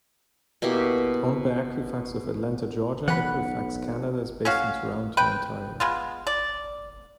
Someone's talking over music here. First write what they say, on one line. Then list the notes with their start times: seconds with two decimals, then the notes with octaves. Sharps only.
Owned by Equifax of Atlanta, Georgia, Equifax Canada is based in Toronto, Ontario.
0.62 B2 A#3 E4 G4
3.08 B1 E3 F#5 B5 F#6
4.45 C#4 F#4 F5
5.17 B4 G5
5.80 G#3 B3 F4
6.27 D5